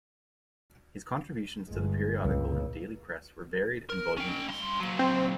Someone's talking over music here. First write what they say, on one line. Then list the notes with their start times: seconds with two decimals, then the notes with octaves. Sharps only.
His contributions to the periodical and daily press were varied and voluminous.
1.68 G1 G#3
2.22 C#2 A#2
3.90 A#4
4.17 C#4 G5
4.48 G2 C6
4.80 A#2 F#3
4.99 C4